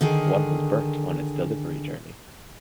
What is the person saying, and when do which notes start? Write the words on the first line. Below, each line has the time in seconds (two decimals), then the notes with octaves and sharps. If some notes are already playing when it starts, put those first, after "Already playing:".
One was burnt on its delivery journey.
0.01 D3 D#3 G#4